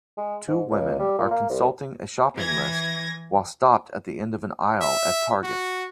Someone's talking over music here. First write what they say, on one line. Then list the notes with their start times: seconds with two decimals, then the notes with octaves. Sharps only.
Two women are consulting a shopping list while stopped at the end of an aisle at Target.
0.17 G#3
0.48 G#2
0.70 C#2
0.99 G3
1.18 A#2
1.31 A#3
1.49 C2
2.36 E3 G#6 A#6
4.82 E5
5.44 F#4